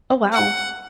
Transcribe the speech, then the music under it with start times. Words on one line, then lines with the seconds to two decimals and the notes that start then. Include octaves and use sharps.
Oh wow.
0.33 F#5